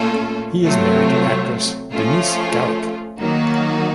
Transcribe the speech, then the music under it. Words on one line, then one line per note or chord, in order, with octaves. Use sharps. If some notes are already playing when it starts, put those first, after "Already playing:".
He is married to actress Denise Galik.
Already playing: A#2 A3 C#4 F4 A4
C3 F#3 A3 C4 F4
F3 A3 C#4 F4
D#3 F#3 A#3 D#4 F#4